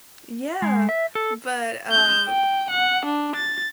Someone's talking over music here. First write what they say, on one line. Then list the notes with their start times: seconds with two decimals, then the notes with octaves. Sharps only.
Yeah, but, uh,
0.62 G#3
0.89 E5
1.15 A4
1.92 G6
2.29 G5
2.71 F#5
3.06 D4
3.36 A6